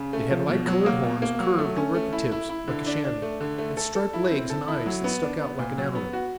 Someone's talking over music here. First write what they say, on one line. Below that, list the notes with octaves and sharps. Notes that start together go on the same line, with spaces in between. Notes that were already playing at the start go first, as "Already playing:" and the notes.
It had light-colored horns curved over at the tips like a chamois and striped legs and eyes that stuck out like an antelope.
Already playing: C#3
A3
F3
B2
F#3
A#3
B2
A#3
F#3
A3
C#4
A3
E4
E4
E4
D3
D4
D4
A3
D3
A3
A4
A4
E4
C4
A4
E4
F#3
B3
D4
B3
A#2
F#3
B3
F#4